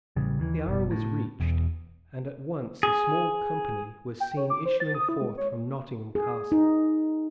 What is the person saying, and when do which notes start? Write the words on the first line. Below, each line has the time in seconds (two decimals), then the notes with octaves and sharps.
The hour was reached, and at once a small company was seen issuing forth from Nottingham Castle.
0.16 A1 C#3 G3
0.39 D#2 E3
0.66 F#1 B2
0.91 A2
1.40 E1 E2
2.83 G#4
4.20 G5
4.37 C#5
4.50 D6
4.66 C5
4.80 A6
4.95 D#6
5.09 E4
5.21 G#3
5.38 C#5
6.15 G#4
6.52 D#4